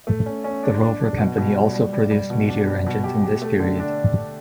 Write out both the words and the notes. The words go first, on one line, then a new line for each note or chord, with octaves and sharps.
The Rover Company also produced Meteor engines in this period.
A3
C#4
C#4
D4
D4
D4
B2
B2
G3
G3
G3
G3
B2
D4
G3
B2
G4
G4
A3
D3
D4